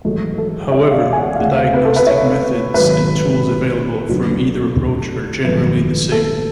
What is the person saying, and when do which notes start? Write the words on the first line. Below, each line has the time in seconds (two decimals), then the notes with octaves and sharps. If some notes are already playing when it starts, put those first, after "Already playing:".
However, the diagnostic methods and tools available from either approach are generally the same.
0.05 A1 G#2 F#3 A3
0.38 A4
0.72 C#5
0.91 F5
0.94 D5
1.13 G#5
1.17 F#5
1.35 F5
1.39 D2 C#3 G#3 F#5
1.57 F5
1.74 B4
1.85 A4
1.96 B4
2.07 C#5
2.74 G#1 G#2 F#3 B4
4.09 D2 D3 F#3 A3
5.44 G#1 F#2 F3 A3 B4
6.12 A4